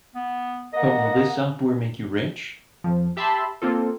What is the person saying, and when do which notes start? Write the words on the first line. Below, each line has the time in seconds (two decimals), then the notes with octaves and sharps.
But will this software make you rich?
0.15 B3
0.73 A#3 D#5 F#5
2.84 F2 F3
3.17 G4 E5 A5 B5 C6 E6
3.62 A#3 C4 F4 A4